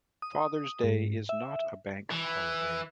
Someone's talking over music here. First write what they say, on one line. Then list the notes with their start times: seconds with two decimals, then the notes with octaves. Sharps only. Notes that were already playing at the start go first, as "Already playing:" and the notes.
Father's Day is not a bank holiday.
0.22 D#6
0.84 G#2
1.29 E5
2.11 E3